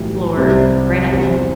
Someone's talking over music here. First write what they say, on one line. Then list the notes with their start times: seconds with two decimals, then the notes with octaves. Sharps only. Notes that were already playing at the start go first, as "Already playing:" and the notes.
floor right at home.
Already playing: B1 A2 E3 G3
0.36 C2 C3 G3
1.09 E2 C3 G3 C4 E4